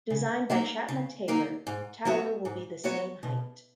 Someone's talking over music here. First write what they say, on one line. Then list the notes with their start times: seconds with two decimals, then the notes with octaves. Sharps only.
Designed by Chapman Taylor, tower will be the same height.
0.10 C#3
0.50 F#3 A#3 D#4 A#4
0.89 C#3
1.28 F#3 A#3 D#4 A#4
1.67 G#2
2.05 F#3 B3 F#4 C#5
2.45 G#2
2.84 F#3 B3 F#4 C#5
3.23 B2